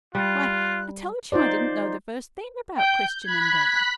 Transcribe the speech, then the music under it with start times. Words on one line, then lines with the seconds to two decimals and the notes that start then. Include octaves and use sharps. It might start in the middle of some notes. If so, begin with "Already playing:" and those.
"Why, I told you I didn't know the first thing about Christian Endeavor."
0.15 G3 F4 F#6
1.32 D#4 F4 C5 D5
2.77 G5 G6
3.25 B5 F#6 G#6 B6